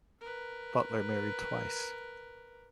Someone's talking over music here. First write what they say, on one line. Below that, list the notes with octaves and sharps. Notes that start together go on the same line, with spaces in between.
Butler married twice.
A#4 B4